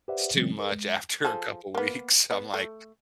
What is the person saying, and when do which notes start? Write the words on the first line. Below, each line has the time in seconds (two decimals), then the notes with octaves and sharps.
It's too much after a couple weeks. I'm like,
0.08 G4 B4 C5 D5 E5 F#5
0.34 C#3 E3 F#3 G#3 C4 C#4
0.59 G#4 A#4 B4
0.72 G#3
1.25 F3 G#4 A4
1.75 A#3 B3
2.31 B3
2.54 A3